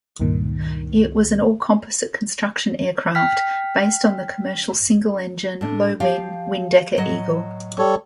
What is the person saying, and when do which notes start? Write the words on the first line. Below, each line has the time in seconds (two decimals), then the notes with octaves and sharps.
It was an all-composite construction aircraft, based on the commercial single-engine, low-wing Windecker Eagle.
0.20 C#2 G2 A#2 D#3
3.15 G5 F6 B6
5.61 A2 D4
6.00 F3 G4 F5
6.97 A2 F#3 D#5
7.78 G3 A4 C#5